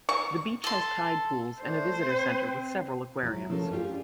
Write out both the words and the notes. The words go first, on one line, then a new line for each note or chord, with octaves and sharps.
The beach has tide pools and a visitor center with several aquariums.
C#6
A4 C6
A3 D4 C5
C4
F#3 E4
F3 A3 C#4 D#4 A4 A#4
C#4 D4 F4 G4 G#4